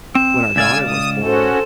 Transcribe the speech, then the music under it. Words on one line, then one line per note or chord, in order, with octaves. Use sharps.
when our daughter was born
C4 E7
C#2 D5 F5 G#5 E6 G#6
D#6
C#4 F#4 A4 C5